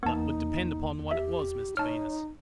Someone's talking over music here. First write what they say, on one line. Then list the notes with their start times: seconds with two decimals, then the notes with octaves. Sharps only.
'That would depend upon what it was, Mr Venus.
0.03 E2 A#3 B3 D#4 A5
1.11 G4 E5
1.77 D#4 C#5 A5 F6